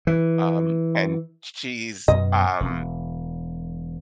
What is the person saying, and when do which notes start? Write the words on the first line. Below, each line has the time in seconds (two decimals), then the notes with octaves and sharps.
um, and sh she's, um
0.07 E3
2.08 F#2 B2 B3 D#5
2.60 E1